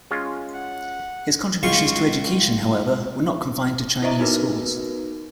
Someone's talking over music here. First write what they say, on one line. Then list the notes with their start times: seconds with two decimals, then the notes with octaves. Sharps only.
His contributions to education, however, were not confined to Chinese schools.
0.11 G#3 C#4 F4
0.55 F#5
1.63 C#2 F4 C6 C#6
4.02 E4 C5 D#5 E5 A#5
4.19 B3 D#4 F#4 A#4 B4